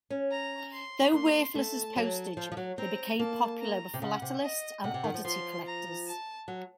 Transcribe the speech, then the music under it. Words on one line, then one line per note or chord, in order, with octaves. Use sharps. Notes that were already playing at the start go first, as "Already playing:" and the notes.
Though worthless as postage, they became popular with philatelists and oddity collectors.
C#4
A#5
C6
A#3 C6
A3 A5
F#3
F3
F3
F#3
C4 A#5
A#3 A5
A#5
C3
C#3 F#5
C3
D#5
C3 F#5
C3
D#3
F3
F3 C6
A#5
A5
F#3